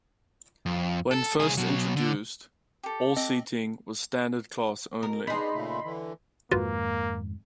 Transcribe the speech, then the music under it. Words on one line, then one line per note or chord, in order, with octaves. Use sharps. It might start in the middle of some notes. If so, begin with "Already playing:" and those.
When first introduced, all seating was standard class only.
F2
A4
C2 G#4
B2 F#3
D3
G4 A4
C4 D#5
B2 A#4
B3 D4 D#4 G#4 B5 C6
A#2 C#3 A3
D3 E3
F2 G#2 D#3 A#3 F4 F#4 B4